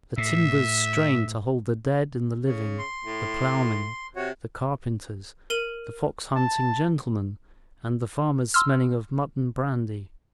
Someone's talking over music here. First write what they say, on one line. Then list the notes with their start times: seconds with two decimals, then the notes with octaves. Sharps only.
The timbers strain to hold the dead and the living, the ploughmen, the carpenters, the fox-hunting gentlemen and the farmers smelling of mud and brandy.
0.18 A2 E5
2.42 C#3
2.79 C6
3.05 A2
4.16 C3 F#4 C#5
5.50 A#4 D#7 F#7
6.36 A5
8.54 C6 E6 F6